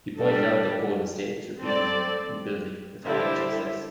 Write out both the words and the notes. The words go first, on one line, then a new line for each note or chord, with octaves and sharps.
He pointed out that Golden State was repeatedly rebuilding without much success.
G3 D4 A4
C4 A4 D5
D3 G3 E4 G4 C5